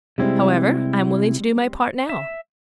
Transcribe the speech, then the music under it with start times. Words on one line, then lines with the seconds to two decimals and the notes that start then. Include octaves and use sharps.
However, I am willing to do my part now.
0.18 C3 G3 G#3 C4 E4
2.09 E5